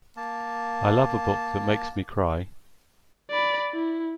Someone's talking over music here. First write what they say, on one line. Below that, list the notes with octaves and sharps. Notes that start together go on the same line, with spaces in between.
I love a book that makes me cry.
A#3 A5
D5 B5
E4